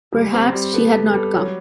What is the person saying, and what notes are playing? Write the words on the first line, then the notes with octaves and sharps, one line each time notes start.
Perhaps she had not come.
G3 A4
C4
G4
G3
B3 A4
B3
G3
F#3